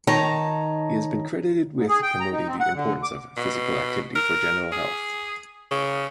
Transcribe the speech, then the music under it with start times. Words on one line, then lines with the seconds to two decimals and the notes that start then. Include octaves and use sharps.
He has been credited with promoting the importance of Physical Activity for general health.
0.07 D#3 D#4 C#5 A5 A#5
1.76 G#2
1.89 G#4
2.03 G5
2.20 A#5
2.32 D#4
2.47 C4
2.60 F#5
2.74 D3
3.03 D6
3.37 B2
4.16 A#4
4.72 G#4
5.71 C#3